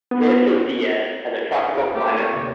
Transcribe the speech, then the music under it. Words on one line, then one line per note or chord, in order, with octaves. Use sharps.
Prieto Diaz has a tropical climate.
B3
F5 D7
A3 A#3 C4 G4
C#5
D#2 C3